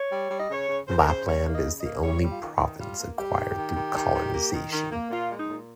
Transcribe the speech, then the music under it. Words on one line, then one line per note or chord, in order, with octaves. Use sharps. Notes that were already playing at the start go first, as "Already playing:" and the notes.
Lapland is the only province acquired through colonization.
Already playing: C#5
G3
G3
D#5
C#3 C#5
C#3
C#3 C5
A#4
C#3 C5
G3 C#5
A#3
D#5
C#3
D#5
A#3
G3 C#5
G3
F4
D#3
D#4
D#3
G3 F4
A#3
G3 G4
D#3
D#3
D#3
D#3
D#3
A#3
D#3
D#3
A#3
A#2 F4
G#3
D#4
A#2